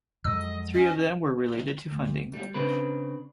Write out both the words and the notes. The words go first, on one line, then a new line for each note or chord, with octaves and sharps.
Three of them were related to funding.
F2 F#3 G#3 D#5 E6
C#4 D#5
D2
G3
C#3 C4 D4 B4